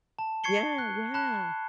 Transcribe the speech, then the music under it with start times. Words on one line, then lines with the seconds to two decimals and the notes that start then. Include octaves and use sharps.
yeah. Yeah,
0.19 A5
0.44 C#6 G#6 C7 C#7 G7
0.78 F#6
1.14 A5 B5 F#6